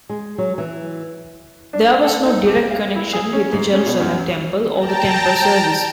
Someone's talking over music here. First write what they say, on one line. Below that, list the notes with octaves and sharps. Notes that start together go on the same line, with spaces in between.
There was no direct connection with the Jerusalem Temple or the Temple service.
G#3
F#3
E3
D4
A4
D#4
G4
F5
E4
G#4
C#4
G#2
C#4
B2
F#2
G5 A5 A#5